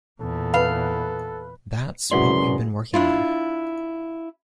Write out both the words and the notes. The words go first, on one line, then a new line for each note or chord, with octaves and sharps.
That's what we've been working on.
E2 A#2 A4
B4 F5
F#2 C3 G#3 E4 F#4 B4 D5 C6
D4 E4 F4